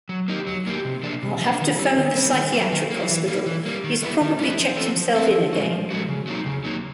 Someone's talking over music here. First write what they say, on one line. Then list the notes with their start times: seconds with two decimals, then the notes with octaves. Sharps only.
I'll have to phone the psychiatric hospital, he's probably checked himself in again!
0.09 F#3
0.28 A#3 D#4 G4
0.47 F#3
0.67 A#3 D#4 G4
0.85 C3
1.03 F3 A#3 D4
1.23 C3
1.40 F3 A#3 D4
1.60 D#3
1.79 G3 C4
1.98 D#3
2.15 G3 C4
2.34 D#3
2.52 F#3 A#3
2.72 D#3
2.90 F#3 A#3
3.09 E3
3.28 G3 A#3
3.46 E3
3.65 G3 A#3
3.84 D#3
4.02 G3 B3 E4
4.21 D#3
4.40 G3 B3 E4
4.60 F3
4.77 A3 C4 F4 A4
4.96 F3
5.15 A3 C4 F4 A4
5.33 F3
5.53 G#3 C#4 F#4
5.71 F3
5.91 G#3 C#4 F#4
6.08 C#3
6.27 F#3 A#3 D#4
6.46 C#3
6.64 F#3 A#3 D#4